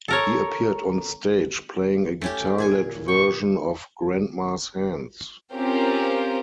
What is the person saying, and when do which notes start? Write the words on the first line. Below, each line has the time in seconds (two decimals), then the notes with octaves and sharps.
He appeared on stage playing a guitar-led version of Grandma's Hands.
0.08 A4 A#4 C#5
2.21 A3 C#4 G4
2.58 A#2 G#4 G#5
3.08 G5 C#6
5.53 C4 C#4 F4 G4 A#4 C5